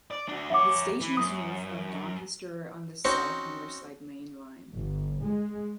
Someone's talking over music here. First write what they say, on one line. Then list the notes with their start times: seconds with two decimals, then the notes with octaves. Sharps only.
The station is north of Doncaster on the South Humberside Main Line.
0.11 D5
0.28 D4 F#4
0.50 F2 C#5 E5 F#5 D6
1.01 E3
1.17 F#2 D#6
3.05 C4 C#4 D#4 F#4 C5
4.72 G1
5.22 G#3